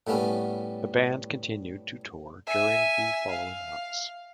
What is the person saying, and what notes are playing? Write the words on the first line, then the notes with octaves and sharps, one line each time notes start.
The band continued to tour during the following months.
A2 G3 A3 B3 C#4
E5 G#5
F5